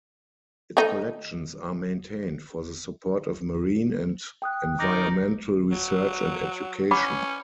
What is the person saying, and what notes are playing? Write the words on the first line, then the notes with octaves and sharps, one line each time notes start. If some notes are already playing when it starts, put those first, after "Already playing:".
Its collections are maintained for the support of marine and environmental research and education.
A3 D#4
G5 D#6 F#6
D#4 A#4 D5 D6 G6 A#6
F#3
C#4 F#5 B5 D6